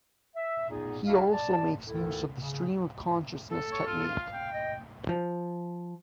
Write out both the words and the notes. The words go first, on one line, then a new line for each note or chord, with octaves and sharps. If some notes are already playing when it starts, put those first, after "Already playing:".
He also makes use of the stream of consciousness technique.
E5
A#2 B3 D#4 G#4
C#2 D4 E4 F#4 E5 F5
D5 A5
D2 G#2 D#3 E4 A4
C#3
A4
C#5
F4
F5
G5
D#5
F3